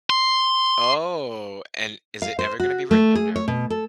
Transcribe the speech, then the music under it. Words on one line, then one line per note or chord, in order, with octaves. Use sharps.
Oh, and is it ever gonna be written or no?
C6
F5
C5
F#4
A3
G#4
C#5
B2
A4